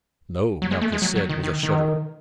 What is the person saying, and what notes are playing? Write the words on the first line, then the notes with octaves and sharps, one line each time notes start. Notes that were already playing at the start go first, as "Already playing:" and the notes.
"No," Malchus said with a shudder.
F#3
G#3
A3
G#3
F#3
F#3
D#3
D#3
D#3